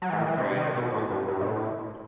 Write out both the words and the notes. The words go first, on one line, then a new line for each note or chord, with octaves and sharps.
Perm krai has a continental climate.
F#3
E3
D#3
E3
C3
D#3
B2
A2
G2
G2
B2
A2